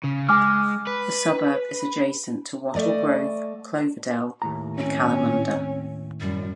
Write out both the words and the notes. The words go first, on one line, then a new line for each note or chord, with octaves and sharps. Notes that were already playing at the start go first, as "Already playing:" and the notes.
The suburb is adjacent to Wattle Grove, Cloverdale and Kalamunda.
C#3
G#3 G#5 D6 F6
B4
A3 D5 D#5
D#2 A2 A#5
C4 C#4
F#2 G3